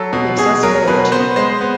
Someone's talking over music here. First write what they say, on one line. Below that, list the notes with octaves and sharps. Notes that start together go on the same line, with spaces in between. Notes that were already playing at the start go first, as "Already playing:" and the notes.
He gives us loyalty.
Already playing: F#3 A4
B2
B2 G#4
F#3 A#4
B2 B4
B3 C5
G#3 C5
B3